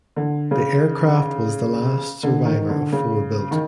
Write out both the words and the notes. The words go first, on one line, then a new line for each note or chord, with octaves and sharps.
The aircraft was the last survivor of four built.
D3
C#3
D3
D#3
D3
C#3
D#3